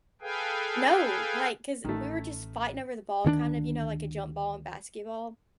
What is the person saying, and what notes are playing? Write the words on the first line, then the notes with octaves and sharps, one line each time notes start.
No. Like 'cause we were just fighting over the ball, kind of, you know, like a jump ball in basketball.
G#4 A4 B4 F5 G5 G#5
A1 D#3 A3
D2 D#3 C#4 D4